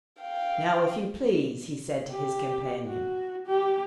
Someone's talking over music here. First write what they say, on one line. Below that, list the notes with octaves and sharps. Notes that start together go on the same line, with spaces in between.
"Now if you please," he said to his companion.
F5 G5
G4
F#4
G4